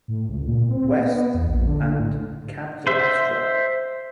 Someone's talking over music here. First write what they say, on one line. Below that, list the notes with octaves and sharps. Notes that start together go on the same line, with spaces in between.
West" and "Capital Xtra!
A2
C#2
A#2
C4
B3
E2
A#1
D3
D3
A2
C5 E5